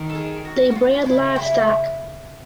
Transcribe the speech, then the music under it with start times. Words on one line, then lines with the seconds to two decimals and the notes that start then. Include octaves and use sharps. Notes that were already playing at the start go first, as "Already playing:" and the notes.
They bred livestock.
Already playing: D#3
0.10 A4
0.15 G#4
0.45 F#4
0.71 F#4
0.75 F4
1.06 C#3 E4
1.36 E4